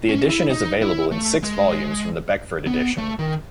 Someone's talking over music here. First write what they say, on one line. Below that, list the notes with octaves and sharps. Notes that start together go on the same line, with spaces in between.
The edition is available in six volumes from The Beckford Edition.
C#4
E4
D#4
E4
A3
G#3
B3
A3
D#3